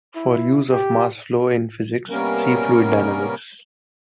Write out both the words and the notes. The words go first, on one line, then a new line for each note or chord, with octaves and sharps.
For use of "mass flow" in physics see Fluid Dynamics.
E4
G4
C3 G3 A#3 B3 C#4 A#4